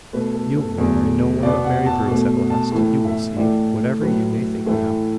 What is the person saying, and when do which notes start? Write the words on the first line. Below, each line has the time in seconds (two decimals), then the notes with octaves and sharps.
"You will marry no one but Mary Bruce at last, you will see, whatever you may think now."
0.13 B2 A3 B4
0.34 A4
0.57 A4
0.78 E2 D3 F#3 A3
1.43 B2 B3 D5
1.64 F#5
1.86 A5
2.08 B2 A3
2.50 A5
2.72 A2 E3 A3
3.05 E5
3.37 A2 E3 A3 D5
4.01 A2 F#3 A3 B4
4.66 A2 E3 A3